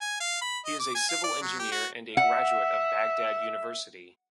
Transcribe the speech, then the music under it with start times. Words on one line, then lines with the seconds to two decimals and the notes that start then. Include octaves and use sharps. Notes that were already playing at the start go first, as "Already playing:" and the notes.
He is a Civil Engineer and a graduate of Baghdad University.
0.02 G#5
0.20 F5
0.42 B5
0.65 D#5
0.80 D6
0.95 G#5
1.09 F5
1.24 D5
1.42 F#3
1.59 G4
1.72 F#4
2.17 E5 F#5